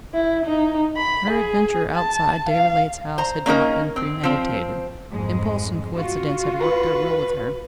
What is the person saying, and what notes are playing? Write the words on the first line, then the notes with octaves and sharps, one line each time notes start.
Her adventure outside Deroulede's house had not been premeditated. Impulse and coincidence had worked their will with her.
E4
D#4
B5
G#4
A5
F5
C5 A#5
A#3 C#4 D#4 A#4
C4
F3 C4
F2 G#2 G#3
F4 F#4
B4